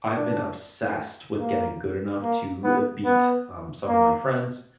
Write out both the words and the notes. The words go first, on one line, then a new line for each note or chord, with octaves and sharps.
I've been obsessed with getting good enough to, uh, beat, um, some of my friends
D4
A#3
A#3
B3
B3
A#3